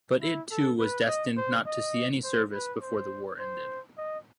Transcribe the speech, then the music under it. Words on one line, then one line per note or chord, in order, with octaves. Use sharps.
But it too was destined not to see any service before the war ended.
E4
A4
B4
D#5
C5
D#5
C5
B4
C5
C5
D#5